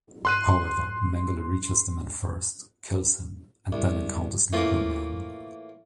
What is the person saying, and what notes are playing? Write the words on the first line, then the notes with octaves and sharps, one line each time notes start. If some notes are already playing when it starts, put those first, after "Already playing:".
However, Mengele reaches the man first, kills him, and then encounters Liebermann.
C6 F#6 D#7
C2
A2 E3 A#3 F4